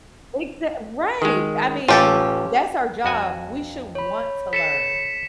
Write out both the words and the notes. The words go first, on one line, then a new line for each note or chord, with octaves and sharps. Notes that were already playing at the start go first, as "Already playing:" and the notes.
Exact right! I mean, th that's our job, we should want to learn.
D#3 G#3
A1 C#4 F4 G4 A4 A5
F2 F#4 G#5
C#5 B5
A4 B6 C#7 E7